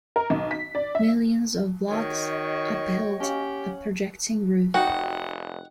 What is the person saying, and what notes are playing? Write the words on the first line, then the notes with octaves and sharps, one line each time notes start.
Millions of logs upheld a projecting roof.
A#4
B1
B6
D5
E5
D#3 F#4 C#5 D#5 G5
C#4 G4 F#5
F1 D#4 F#4 F#5 G5